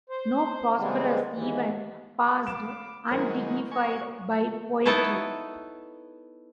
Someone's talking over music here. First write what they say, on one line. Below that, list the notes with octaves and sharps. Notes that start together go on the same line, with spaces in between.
No prosperous event passed undignified by poetry.
C5
C#3 E3 G3 G#3 B3 C4
D#2 G#2 E3
F5 B5 D6 E7
D#3 F#3 G#3 E4 A#4 C5
A#3 A4 D#5 G#5 C#6
B3 D#4 E4 A4 B4 C#5